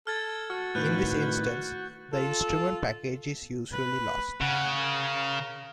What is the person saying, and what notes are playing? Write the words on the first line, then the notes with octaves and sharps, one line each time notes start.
In this instance the instrument package is usually lost.
A4 F6 G#6 A6
F#4 F6
A2 D#3 B4 F#6 G6
F#4
F4 A4
B4
C#3 F#5
A#4